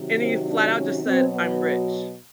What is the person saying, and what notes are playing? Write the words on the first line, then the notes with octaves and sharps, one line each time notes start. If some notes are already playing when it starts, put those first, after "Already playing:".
and he flat out just said, "I'm rich."
Already playing: C3 D#3 F#3
C4
D4
C#4
B2 F#3 C4
B3